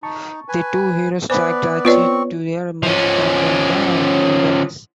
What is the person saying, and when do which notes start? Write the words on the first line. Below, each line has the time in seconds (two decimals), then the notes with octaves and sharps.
The two heroes track Drache to a mining camp in the wilderness.
0.03 D#4 A5 C#6
0.49 B4 G#5
1.30 B3 B4 C5 D5 G#5 B5
1.85 B3 C4 F4 B4 C#5 D5 C#6
2.83 F3 C#4